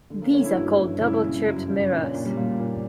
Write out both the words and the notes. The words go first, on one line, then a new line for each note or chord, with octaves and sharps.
These are called double-chirped mirrors.
D3
A#3
D3 C#4
E4
G2 F#4
G2
C#3 E4
C#3
F#2
C#3
A#2 D4
C#4
A#2 A#3
G3
A#2 A#3
A#2